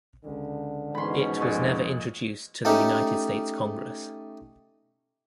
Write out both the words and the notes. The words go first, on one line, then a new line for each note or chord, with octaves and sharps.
It was never introduced to the United States Congress.
C#2 D3
G#2 B2 E3 C#4 B5 C6
F2 A#2 G#3 C#6
A3 C#4 D#4 G4